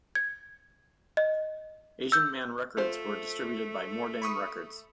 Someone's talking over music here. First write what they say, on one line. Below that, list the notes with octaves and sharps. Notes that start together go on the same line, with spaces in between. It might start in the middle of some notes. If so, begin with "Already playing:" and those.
Asian Man Records were distributed by Mordam Records.
G#6
D#5
E6 G6
A3 F4 C5
B5 C#6 D#6